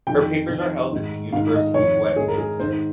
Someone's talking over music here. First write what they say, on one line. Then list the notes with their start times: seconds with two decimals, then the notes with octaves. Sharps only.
Her papers are held at the University of Westminster.
0.07 F2 D#3 G5
0.49 F2 D#3
0.91 G#2 D#3
1.32 G#2 D#3 F5
1.54 D#5
1.74 F2 D#3 C#5
2.16 G#2 D#3 G#4
2.28 A#4
2.38 G#4
2.60 G#2 D#3 C5